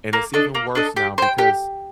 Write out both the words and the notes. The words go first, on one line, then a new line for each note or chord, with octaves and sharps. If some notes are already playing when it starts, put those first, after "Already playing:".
And it's even worse now because
A#3
D4 A4 D#5
A#3
D4 A4 D#5
G4
C5 G5
G4